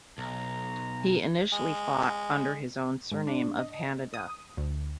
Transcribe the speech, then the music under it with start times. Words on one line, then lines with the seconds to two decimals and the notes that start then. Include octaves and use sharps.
He initially fought under his own surname of Hanada.
0.18 B1 A#5
1.53 G#3
3.12 G#2
3.27 D4
3.59 D#5
4.14 D#6
4.57 D2